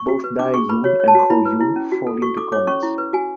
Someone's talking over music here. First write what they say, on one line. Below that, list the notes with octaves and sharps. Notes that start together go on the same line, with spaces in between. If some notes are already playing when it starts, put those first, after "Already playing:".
Both Dae-jun and Ho-jun fall into comas.
Already playing: C#6
F#4
B4
D4 D6
G#4 C#6
B4 B5
F#4 C#5
C#5
A5
F#4
E4 B5
B4
E4
C#4
F#4
A4
F#4 C#6
A4 D6
C#5 D6
C#4 C#6
E4
B4
F#4 G#5